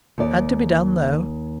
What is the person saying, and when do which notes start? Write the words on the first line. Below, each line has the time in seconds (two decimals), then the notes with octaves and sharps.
Had to be done, though.
0.18 D#2 D5